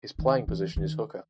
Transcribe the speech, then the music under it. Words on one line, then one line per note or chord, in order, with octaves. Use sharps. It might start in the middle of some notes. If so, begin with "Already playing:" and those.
His playing position is hooker.
D#3
E3
D#3